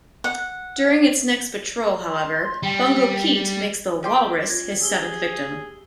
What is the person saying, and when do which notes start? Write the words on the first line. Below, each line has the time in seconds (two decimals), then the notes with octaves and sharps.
During its next patrol, however, Bungo Pete makes the "Walrus" his seventh victim.
0.24 F#5
2.09 C6
2.63 G3 G5
4.03 C#4 A4 G5 C6 D6
4.49 F4 G#6 A#6
4.81 G4 G#4 E6 G7